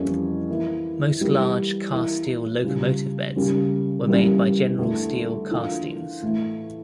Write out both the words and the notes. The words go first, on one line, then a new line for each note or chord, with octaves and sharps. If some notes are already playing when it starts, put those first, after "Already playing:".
Most large cast-steel locomotive beds were made by General Steel Castings.
Already playing: F2 E3 G3 A#3 C#4
E3 A#3 E4
E3 G3 A#3
E3 A#3 E4
C#3 G3 C#4 F4
C#3 G3 A#3 C#4
G2 E3 G3 A#3 C#4
E2 D3 A3
E3 A#3 D4 F4
A2 E3 A3 E4